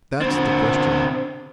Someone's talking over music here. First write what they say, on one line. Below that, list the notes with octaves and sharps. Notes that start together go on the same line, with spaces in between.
That's the question.'
D3 C4